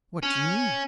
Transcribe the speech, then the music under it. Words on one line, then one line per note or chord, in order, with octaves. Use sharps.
"What do you mean?"
C#4